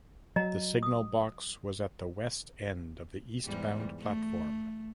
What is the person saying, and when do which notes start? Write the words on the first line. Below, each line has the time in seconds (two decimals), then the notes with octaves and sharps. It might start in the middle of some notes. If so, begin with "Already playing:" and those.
The signal box was at the west end of the eastbound platform.
0.36 F#3 D#5 A#5
0.83 D#6
3.44 E2 G#2 G3
3.99 A3